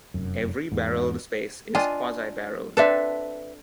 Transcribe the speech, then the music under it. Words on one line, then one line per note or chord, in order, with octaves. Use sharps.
Every barrelled space is quasi-barrelled.
F1 F#2
E2 G#2
D4 F4 D#5 G#5
C4 D4 A4 B4 E5